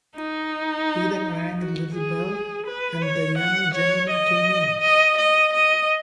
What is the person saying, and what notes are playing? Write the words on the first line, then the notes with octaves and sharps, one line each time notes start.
He then rang a little bell, and the young gentleman came in.
D#4
F#4
G#4
B4
C#5
F#5
C#5
D#5
D#5
D#5
D#5